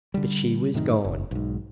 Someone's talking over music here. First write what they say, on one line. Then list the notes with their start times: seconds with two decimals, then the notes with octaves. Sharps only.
But she was gone.
0.14 D3 G3
0.74 F#2 A2 C3 D#3
1.05 F#1
1.31 B1 G#2